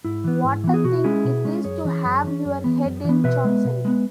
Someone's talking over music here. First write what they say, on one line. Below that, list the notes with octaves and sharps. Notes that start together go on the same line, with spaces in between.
What a thing it is to have your head in chancery.
G#2 E4
E3 B3
G#2
E3 B3
G#4
B2 F#4
G#3 C#4 E4 G#4
B2
G#3 C#4
F#2 G#4 C#5
E3 C#4
F#2
E3 C#4
F#2
E3 B3
F#2
E3 B3
B2 B4 E5
G#3 B3
B2
G#3 B3